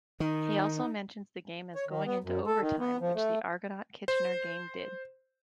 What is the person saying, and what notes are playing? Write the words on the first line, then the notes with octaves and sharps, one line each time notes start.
He also mentions the game as going into overtime which the Argonaut-Kitchener game did.
D#3 D#4
C#5
D#3
B3
F#2
A4
D#3
B3
F3
A3
C5